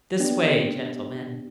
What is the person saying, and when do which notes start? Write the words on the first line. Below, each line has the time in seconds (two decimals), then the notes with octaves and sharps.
'This way, gentlemen!
0.20 B3 D4 G4